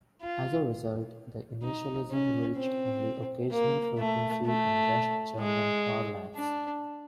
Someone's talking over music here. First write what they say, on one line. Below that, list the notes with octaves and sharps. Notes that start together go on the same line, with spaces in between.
As a result, the initialism reached only occasional frequency in West German parlance.
F4
D#4
C#4
C4
A#3
A3
A3
G#3
D4